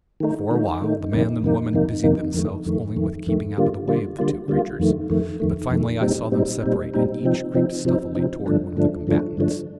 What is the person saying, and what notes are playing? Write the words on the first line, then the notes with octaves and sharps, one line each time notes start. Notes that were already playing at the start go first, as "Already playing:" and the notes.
For a while the man and woman busied themselves only with keeping out of the way of the two creatures, but finally I saw them separate and each creep stealthily toward one of the combatants.
D#3 A3 D#4
D#3 A3 D#4
D#3 A3 D#4
F2 C3 D#3 A#3 D#4
F2 C3 D#3 A#3 D#4
F2 C3 D#3 A#3 D#4
F2 C3 D#3 A#3 D#4
F2 D#3 A3
F2 D#3 A3
F2 D#3 A3
F2 D#3 A3
D3 G3 A#3 F4
D3 G3 A#3 F4
D3 G3 A#3 F4
D3 G3 A#3 F4
F2 D#3 A3
F2 D#3 A3
F2 D#3 A3
F2 D#3 A3
A#2 G3 C4 D#4
A#2 G3 C4 D#4
A#2 G3 C4 D#4
A#2 G3 C4 D#4
C3 F3 C4 D#4
C3 F3 C4 D#4
C3 F3 C4 D#4
C3 F3 C4 D#4
G2 D3 F3 A3 D4
G2 D3 F3 A3 D4
G2 D3 F3 A3 D4
G2 D3 F3 A3 D4